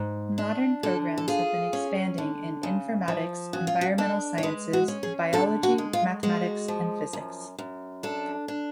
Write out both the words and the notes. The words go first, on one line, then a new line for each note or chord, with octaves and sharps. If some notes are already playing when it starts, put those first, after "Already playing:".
Modern programs have been expanding in: Informatics, Environmental Sciences, Biology, Mathematics and Physics.
Already playing: G#2
D4
D3 A4
A4
F4 G#4
C#4
D3
C#3
F3
C#3 F#4
F4
F#4
D4 A4
C#5
G#3 B4
F#4
C#4
G#4
D3 A4
F#4
G#3
F4
G#3 F#4
F3
F#2
F#2
D4 A4
D4